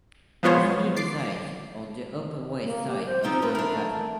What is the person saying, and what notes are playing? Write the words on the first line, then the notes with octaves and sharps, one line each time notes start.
The family resides on the Upper West Side of Manhattan.
F3 G#3 B3 F4 C5 C#5
D6 A6 C7
A#3
G4
C5
F3 C4 D#4 F4
A#4 B4
A3 D4 A#4